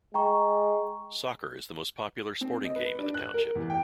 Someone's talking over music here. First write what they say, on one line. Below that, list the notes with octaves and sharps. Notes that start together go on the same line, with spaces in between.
Soccer is the most popular sporting game in the township.
G#3 G5 A#5 C#6
C4
D#5
B4
D4
F#6
A#4
E2
G5